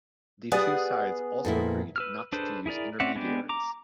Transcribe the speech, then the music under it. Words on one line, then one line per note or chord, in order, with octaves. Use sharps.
The two sides also agreed not to use intermediaries.
B3 G4 G#4 D5 F#5
F2 A#2 E4
B4 E6 F6
D4 G#4 A4 B4 C5
E4 G#4 A#4 D5
C4 C#4 D5 E5 F#5
G#3 B3 D4 G4
A#5 D6